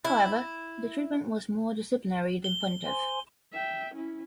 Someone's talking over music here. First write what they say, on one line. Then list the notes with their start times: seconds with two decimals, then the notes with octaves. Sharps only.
However, the treatment was more disciplinary than punitive.
0.04 E4
2.44 G7
2.85 C5 G#5 C6
3.53 E5 G5
3.94 C#4 E4